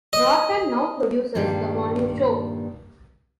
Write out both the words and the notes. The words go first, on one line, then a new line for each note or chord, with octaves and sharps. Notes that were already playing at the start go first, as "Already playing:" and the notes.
Roten now produces the morning show.
D#5
G2 A#2 D#3 G3